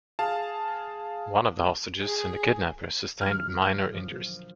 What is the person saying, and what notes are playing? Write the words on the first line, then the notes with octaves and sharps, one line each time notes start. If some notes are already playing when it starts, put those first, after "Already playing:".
One of the hostages and the kidnapper sustained minor injuries.
G#4 F5 A5
G#4
D3 D#3 F#3 F6
A#2 F3